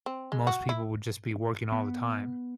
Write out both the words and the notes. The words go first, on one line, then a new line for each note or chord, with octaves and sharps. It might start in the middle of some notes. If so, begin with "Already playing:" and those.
most people would just be working all the time.
C4
G#3
F#4
E4
B3